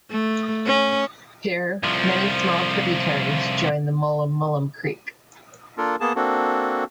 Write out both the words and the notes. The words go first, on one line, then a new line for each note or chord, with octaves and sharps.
Here many small tributaries join the Mullum Mullum Creek.
A3
C#4
C2 F3
A#3 D4 F4 A4 A#4
A#3 B3 G#4 A5
A#3 C4 D4 F#4 A4